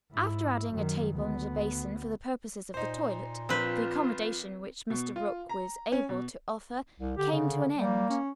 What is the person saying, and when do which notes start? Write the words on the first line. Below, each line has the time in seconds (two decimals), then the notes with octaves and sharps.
After adding a table and a basin, for the purposes of the toilet, the accommodation which Mr. Rook was able to offer came to an end.
0.11 G#2 E4
0.72 F#2 D#3
1.12 D2 B3
2.74 A#2 D#4 C5
3.49 A#1 C4 F4 B4
4.90 B2
5.16 F4
5.49 A#5
5.92 C#4
6.09 B2
6.99 C2
7.18 D3 G4
7.32 C#3
7.77 G3 A#3
8.10 C#4